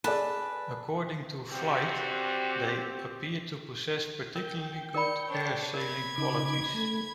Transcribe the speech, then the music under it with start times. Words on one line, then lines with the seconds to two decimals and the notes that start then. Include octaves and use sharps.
According to "Flight", they "appear to possess particularly good air-sailing qualities".
0.04 G#4 A4 B4 D5 A5
1.52 G2 C4 F#4 G4
4.36 A#4 G5
4.95 A#4 D5 B5 C#7
5.28 D4 C#5
5.74 A#4 B5 G#6
6.18 C#3 D#4 D6
6.74 A3